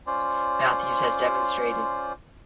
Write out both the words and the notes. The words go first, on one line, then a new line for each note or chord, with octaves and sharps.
Matthews has demonstrated.
C#4 F4 C5 D5